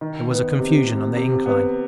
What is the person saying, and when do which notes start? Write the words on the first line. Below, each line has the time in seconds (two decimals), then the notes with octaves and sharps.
There was a confusion on the incline.
0.01 D#3
0.31 B3
0.59 C3
0.88 C3
1.17 C3
1.46 B3